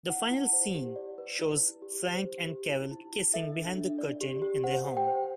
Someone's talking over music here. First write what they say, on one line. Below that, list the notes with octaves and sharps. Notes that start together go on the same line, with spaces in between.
The final scene shows Frank and Carol kissing behind the curtain in their home.
E4 F#5
E4
C5
G4
D5
B4
E4
E4
G4
C5
G4
G4
E4
E4
E4
A4 E5
D4
D4
D5
G4
G4
C5 F#5
G4
G5
C5